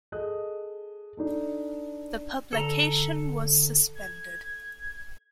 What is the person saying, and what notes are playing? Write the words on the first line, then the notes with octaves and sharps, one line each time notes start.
The publication was suspended.
G#4 A4 D#5 F#6
D4 D#4 A4
D3 A4 A#5
G#6